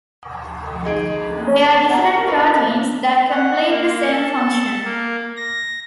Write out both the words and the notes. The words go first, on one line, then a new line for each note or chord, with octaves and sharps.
They are different proteins that complete the same function.
D#4 G#4 D7
F#5 A#5
A#4
F4 A4 B4
F#5
A#3
A4
A#3
A#6